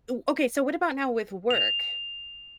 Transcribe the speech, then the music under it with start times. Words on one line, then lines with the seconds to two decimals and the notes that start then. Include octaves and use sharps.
ooh, okay, so what about now with work?
1.51 F7